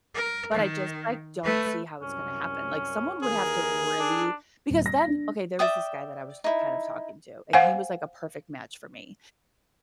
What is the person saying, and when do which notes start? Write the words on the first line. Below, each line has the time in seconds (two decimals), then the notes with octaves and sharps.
but I just like don't see how it's gonna happen. Like someone would have to really because then okay, there was this guy that I was kind of talking to, and he was like a perfect match for me.
0.14 A#4
0.54 D#3
1.44 A3 B4
2.02 C2 F#2 C#4
3.23 D#2 E3 G#4 A#4
3.99 D4 D#4 A4 A#4
4.70 D#1
4.86 A#6
5.08 D4
5.59 D5 E5 G5 D#6
6.44 D#4 E4
7.53 C5 F5 F#5 G#5